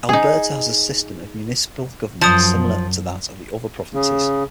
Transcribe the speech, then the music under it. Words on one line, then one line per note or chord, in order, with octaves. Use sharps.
Alberta has a system of municipal government similar to that of the other provinces.
D#4 G#4
F#2 F3 A5 D#6
C#3